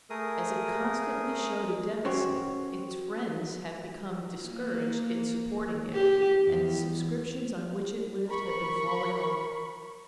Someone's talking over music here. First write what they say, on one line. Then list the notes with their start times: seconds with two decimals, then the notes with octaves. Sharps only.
As it constantly showed a deficit, its friends had become discouraged in supporting it, and the subscriptions on which it lived had been falling off.
0.10 A3 G#4 A#4 D#6
2.05 C#4 F#4 G4 C5 C#5
4.44 A#3
5.94 G4
6.45 E2
8.27 A#4 B5 C#6